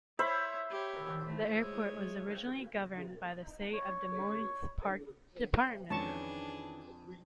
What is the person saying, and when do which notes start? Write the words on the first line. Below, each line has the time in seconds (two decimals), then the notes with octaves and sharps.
The airport was originally governed by the City of Des Moines' Parks Department.
0.19 E4 C5 C#5 E5 B5
0.70 G4 C#5
1.26 A3
1.61 G#3 C#5
3.74 C#5
5.90 F2 D#3 E3 C#4 D4 G#4 A5 C#6